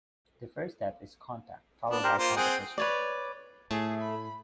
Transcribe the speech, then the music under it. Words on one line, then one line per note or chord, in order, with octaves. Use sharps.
The first step is contact followed by competition.
B3 D4
G4 A#4 C5
A#3 F4 C5 F5
C4 G#4 F#5 G5
B4 C#5 D5
A2 A3 G#4
B5